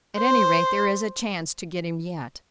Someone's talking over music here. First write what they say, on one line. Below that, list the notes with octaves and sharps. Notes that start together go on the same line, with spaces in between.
At any rate, there is a chance to get him yet.
C5